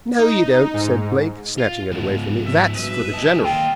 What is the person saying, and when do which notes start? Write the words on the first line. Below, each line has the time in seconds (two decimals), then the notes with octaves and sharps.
"No, you don't," said Blake, snatching it away from me, "that's for the General."
0.18 D#4
0.74 G#2
1.58 F4
1.92 G#2 F3 B3
2.46 E5
2.76 G2 B2 F#3 B4 E5
3.12 B1 D#5 A5
3.44 A#3 D#4 F4 G5